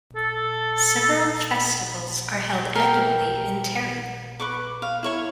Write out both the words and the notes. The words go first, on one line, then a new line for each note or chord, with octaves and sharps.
Several festivals are held annually in Terry.
A4
A#4 G5
B4 C#6 D6
F5
E4 C#5 C#6